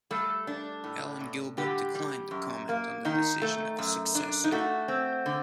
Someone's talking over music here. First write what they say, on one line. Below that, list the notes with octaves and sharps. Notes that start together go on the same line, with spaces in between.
Alan Gilbert declined to comment on the decision of his successor.
G3 A3 A4
D4
A2
A2
D3 G3 G4
G3
F#2
A#3
D#3 D#4
A3
F#2
D4
D#4
A3 F#4
C4
D3